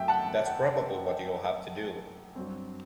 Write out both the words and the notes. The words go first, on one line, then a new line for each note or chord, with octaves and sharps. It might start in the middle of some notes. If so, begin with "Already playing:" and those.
That's probably what you'll have to do.
Already playing: F#2 F#3 A3 C4 E5 G5
F#5 A5
F#5
G2 F#3 C4